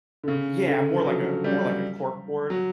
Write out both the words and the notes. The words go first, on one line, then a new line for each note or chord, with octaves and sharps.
Yeah, more like a more like a corkboard.
D3
C#3
D3
F3
F#3
G3
F#3